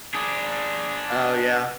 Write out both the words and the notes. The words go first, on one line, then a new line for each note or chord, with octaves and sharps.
Oh yeah.
D4 G#4